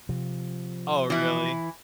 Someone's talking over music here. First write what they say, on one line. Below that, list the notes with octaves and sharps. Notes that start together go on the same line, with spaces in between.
Oh, really?
C3 F3
E3 E4